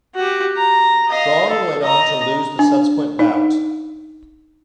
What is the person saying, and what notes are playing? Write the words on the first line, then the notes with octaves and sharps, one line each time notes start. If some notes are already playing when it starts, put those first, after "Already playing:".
Strong went on to lose the subsequent bout.
F#4 G4
A#5
D#5 F5
A4
D#5 A#5
D4
D#4